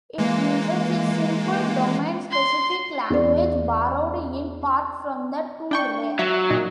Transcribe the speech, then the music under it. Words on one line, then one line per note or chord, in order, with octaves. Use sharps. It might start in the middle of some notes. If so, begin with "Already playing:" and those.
It uses a simple domain-specific language borrowed in part from the tool Rake.
E3 G#3 A#3
C6
E2 D5
D4 G5 C#6
F#3 E5
A#2 D#4